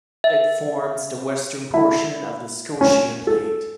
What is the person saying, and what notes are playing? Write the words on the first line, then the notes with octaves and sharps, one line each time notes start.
It forms the western portion of the Scotia Plate.
E5
E4
C#4
A4